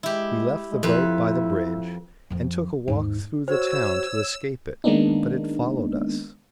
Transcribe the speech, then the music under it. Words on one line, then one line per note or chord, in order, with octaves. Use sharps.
We left the boat by the bridge, and took a walk through the town to escape it, but it followed us.
G#3 E4 G4
G#3
F2 E4 B4
F2 F3
D#2 G#2
F#4 C5 C#5 E6
D#3 G#3 A#3 B3 D4 D#4